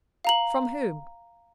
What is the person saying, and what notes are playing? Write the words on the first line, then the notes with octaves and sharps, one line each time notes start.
"From whom?"
F5 A#5 F#7